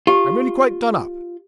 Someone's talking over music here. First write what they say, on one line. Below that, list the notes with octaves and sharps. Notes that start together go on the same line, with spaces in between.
I'm really quite done up.
F4 G4